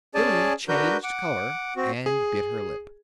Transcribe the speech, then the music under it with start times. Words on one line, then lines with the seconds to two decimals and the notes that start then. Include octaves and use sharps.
Billy changed color and bit her lip.
0.15 C#4 G#4 D5 G#5 A5
0.68 D4 F#4 A#4 B4 G6
1.03 F#5 D6
1.76 C4 F#4
2.06 G#4